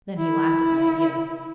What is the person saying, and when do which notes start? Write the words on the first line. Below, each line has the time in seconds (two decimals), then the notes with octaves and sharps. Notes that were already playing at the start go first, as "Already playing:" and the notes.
Then he laughed at the idea.
0.17 E4